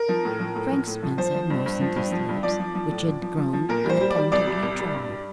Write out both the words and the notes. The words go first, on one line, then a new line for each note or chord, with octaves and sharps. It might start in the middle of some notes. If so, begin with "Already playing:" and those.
Frank Spencer moistened his lips, which had grown unaccountably dry.
Already playing: A#4
F3
A2
F3
A2
F3
A2
F3
F3 C5
F3
G2
G2
F3
G2
F3
G2
F3 D5
F3
F3
A2
F3
F3
F3
F3
A#2 A#4
G3
C5
G3
D5
G3
C2 D5
G3
C2
G3
G2
G3